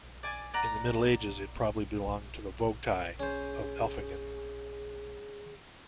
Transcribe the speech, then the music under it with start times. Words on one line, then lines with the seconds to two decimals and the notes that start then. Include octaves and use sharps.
In the Middle Ages it probably belonged to the vogtei of Elfingen.
0.23 D5 G#5
0.54 D5 F#5 A#5
3.19 C#4 G#4 C5